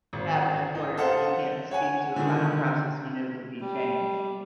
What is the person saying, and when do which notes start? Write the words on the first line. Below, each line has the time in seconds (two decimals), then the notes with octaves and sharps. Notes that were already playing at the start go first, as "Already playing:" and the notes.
have an employer that you can't speak to about a process you know could be changed,
0.13 G#1
0.75 D#4
0.97 A4 C5 F5 F#5 A5
1.71 C#5 F#5 G#5
2.16 D3 D#3
3.60 G3